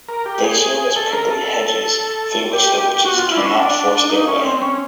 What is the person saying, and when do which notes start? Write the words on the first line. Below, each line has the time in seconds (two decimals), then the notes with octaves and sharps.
They serve as prickly hedges through which the witches cannot force their way.
0.08 A#4
0.26 G4
0.44 G#4
0.96 A4
1.13 A#4
1.31 A4
2.53 G4
3.05 F#4
3.18 F4
3.31 E4
3.37 D4
3.44 C#4
3.57 D4
4.09 D#4
4.27 C#4
4.45 C4
4.62 C#4